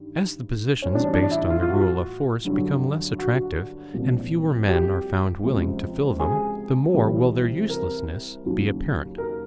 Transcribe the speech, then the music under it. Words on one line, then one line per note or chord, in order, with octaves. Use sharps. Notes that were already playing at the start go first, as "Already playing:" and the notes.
As the positions based on the rule of force become less attractive and fewer men are found willing to fill them, the more will their uselessness be apparent.
Already playing: G2 D#3 G3
C#4
A2 E3 G3 D4
D4
E4
F4
F4
F#4
G2 D3 F#3
F#4
C2 A#2 F3
G4
C#2 C3 F3
G#4
C2 C3 E3 G3
A#4
D#2 C#3 F#3
A#4